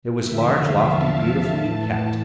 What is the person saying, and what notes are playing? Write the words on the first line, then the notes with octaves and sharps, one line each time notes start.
It was large, lofty, beautifully kept.
E2 D3 F3 E5
F5
A5
A2 E3